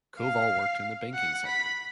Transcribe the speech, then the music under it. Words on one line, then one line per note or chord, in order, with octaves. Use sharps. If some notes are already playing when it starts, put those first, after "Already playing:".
Koval worked in the banking sector.
F5
F#5
B5